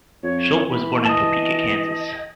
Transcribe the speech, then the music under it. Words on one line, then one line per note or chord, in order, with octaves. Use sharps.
Schuldt was born in Topeka, Kansas.
F2 C#5
E3 B5
D#5 A5 D#6